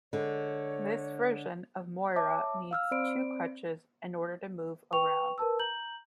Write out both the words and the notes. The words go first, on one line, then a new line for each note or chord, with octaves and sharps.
This version of Moira needs two crutches in order to move around.
D3 G#3 C#5
C#5 E5 A5 D6
F5 E6 F6
C4 C5 D5 B5 D7
B4 G5 C#6 F7
A#4 B4 A5 E6
A#5 G6 F#7